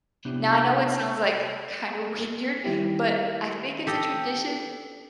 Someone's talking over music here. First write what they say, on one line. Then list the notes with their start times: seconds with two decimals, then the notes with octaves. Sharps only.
Now I know it sounds, like, kinda weird, but I think it's a tradition
0.25 C3 B3 D4 E4 G4
2.64 D#3 G3 E4 G4
3.87 G4 A4 D#5